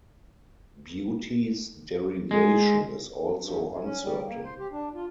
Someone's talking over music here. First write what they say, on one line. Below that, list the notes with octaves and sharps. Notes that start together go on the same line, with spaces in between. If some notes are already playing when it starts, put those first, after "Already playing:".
Bute's derivation is also uncertain.
G#3
G2
F#2
C#4
G3
A#3
C5
G4
D4
F4